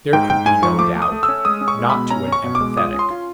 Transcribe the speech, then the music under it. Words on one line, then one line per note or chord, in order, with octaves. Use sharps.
There could be no doubt, not to an empathetic.
G#2 G5
G#2 G5
G#2 G#5
F3 C#6
A3 D6
A3
D#6
A3
E6
C#4
G#3 D#6
C#4
C#6
G#3
B2 B5
C#4 A#5
C#4 C#6
B2
D6
G#3
F4 D#6
C#4
C6
F4